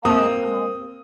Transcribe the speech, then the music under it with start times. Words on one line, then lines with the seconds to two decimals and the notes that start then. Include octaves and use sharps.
but, um,
0.05 A#3 C4 D#6